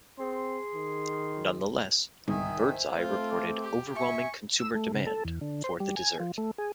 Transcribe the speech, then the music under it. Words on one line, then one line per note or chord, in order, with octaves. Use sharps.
Nonetheless, Birds Eye reported "overwhelming consumer demand" for the dessert.
C4 G#4 C6
D#3
G1 C2 G#2 D#3 E5 G#5 D#6
C5
A3 C4 F4
D6
G4
E5 G#5 C#6
E6
A3
C#3
A4
E2
D3
C5
G3
G#5
F3
A3
G#4